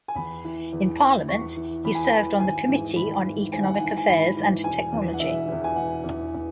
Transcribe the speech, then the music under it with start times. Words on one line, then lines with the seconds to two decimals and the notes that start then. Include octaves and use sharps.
In parliament, he served on the Committee on Economic Affairs and Technology.
0.08 G#5
0.16 E2 B5
0.45 E3
0.73 E2
1.01 E3
1.28 E2 C#6
1.56 E3
1.84 E2 B5
1.95 G#5
2.04 B5
2.12 E3
2.40 G#1 G#5
2.68 G#2 E3
2.96 G#1 B5
3.24 G#2 E3
3.52 G#1 G#5
3.63 F#5
3.74 G#5
3.80 G#2 E3
3.97 G#5
4.08 G#1 B5
4.37 G#2 E3
4.64 E1 G#5
4.92 E2 E3
5.14 F#5
5.20 E1 E5
5.48 E2 E3
5.64 G#5
5.76 E1 F#5
6.04 E2 E3